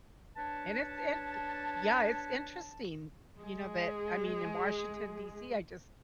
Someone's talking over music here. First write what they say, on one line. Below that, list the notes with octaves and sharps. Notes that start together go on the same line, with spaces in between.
And it's int e Yeah, it's interesting, you know, that I mean, in Washington DC, I just
D4 B4 C#5 A5
G#3 G#4